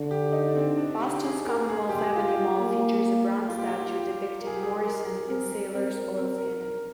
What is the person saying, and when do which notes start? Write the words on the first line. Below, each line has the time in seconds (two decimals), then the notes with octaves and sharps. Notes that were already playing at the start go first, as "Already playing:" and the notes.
Boston's Commonwealth Avenue Mall features a bronze statue depicting Morison in sailor's oilskin.
Already playing: D3
0.11 G4
0.32 D#4
0.48 D4
0.56 C4
0.78 D4
1.00 G4
1.23 G#4
1.46 A#4
1.69 G#4
1.89 G4
1.98 G#4
2.16 F4
2.28 G4
2.58 A#3
3.49 F4
3.58 G4
3.68 F4
3.94 G4
4.39 A#4
4.47 G#4
4.55 G4
4.63 G#4
4.85 A#4
5.07 A#4
5.28 C4 A#4
5.50 A#4
5.71 C4 A#4
5.94 A#4
6.16 C4 A#4
6.38 A#4
6.61 A#4